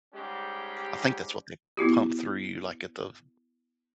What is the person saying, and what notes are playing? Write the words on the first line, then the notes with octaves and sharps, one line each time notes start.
I think that's what they pump through you, like, at the f
G#2 G3 G#3 C#4 G4
B3 E4 F#4 G4